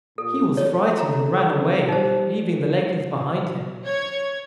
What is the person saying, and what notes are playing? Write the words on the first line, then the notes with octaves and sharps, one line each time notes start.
He was frightened and ran away, leaving the leggings behind him.
A#2 A4
A4 C#5
A#5
C4
G3 D#4 C5
A#4
C#5 G#6